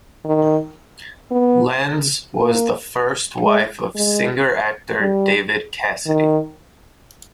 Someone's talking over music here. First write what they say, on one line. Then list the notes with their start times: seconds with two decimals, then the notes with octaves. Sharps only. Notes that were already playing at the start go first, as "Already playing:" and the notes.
Lenz was the first wife of singer-actor David Cassidy.
0.25 D#3
1.31 B3
2.36 A#3
3.42 G#3
3.95 G#3
5.00 G3
6.06 D#3